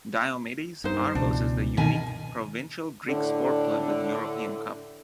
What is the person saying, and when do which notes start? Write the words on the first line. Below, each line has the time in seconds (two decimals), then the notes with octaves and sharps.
Diomidis Argos is the unique provincial Greek sport club with European cup.
0.84 G2 D#4 C5
1.15 C#2 B2 E3 D4
1.77 B2 D#3 G#5
3.08 A2 D3 D4